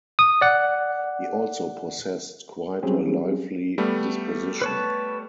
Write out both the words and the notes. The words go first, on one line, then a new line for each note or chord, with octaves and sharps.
He also possessed quite a lively disposition.
D#6
D5 F#5
F#3 G3 C4 C#4 G4 G#4
G3 A3 B3
B4 C#5 A5